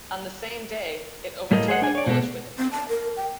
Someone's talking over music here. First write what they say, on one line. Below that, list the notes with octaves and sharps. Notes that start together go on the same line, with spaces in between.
On the same day, it overtook the Polish Wikipedia.
A2 G3 A#3 A4 A#4 D#5
G#4 C5 D#5 F#5
D4 G#5
C#5 D5
B2 E3 G#3 B3 A4
C4
A5
A#4
G5